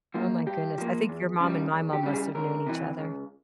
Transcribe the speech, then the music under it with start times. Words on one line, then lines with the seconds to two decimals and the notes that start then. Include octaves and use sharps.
Oh my goodness, I think your mom and my mom must have known each other.
0.14 F3 A#3 F4
0.46 G2 G4
0.78 F3 A#3
1.09 E2
1.40 C#3 G3
1.72 E2
1.93 G4
2.03 C#3 G3
2.14 G#4
2.35 C#2 A#4
2.67 C3 E3
2.98 C#2